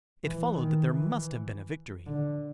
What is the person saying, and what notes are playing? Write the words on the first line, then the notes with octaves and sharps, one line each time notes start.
It followed that there must have been a victory.
E3
D#3
E3
D3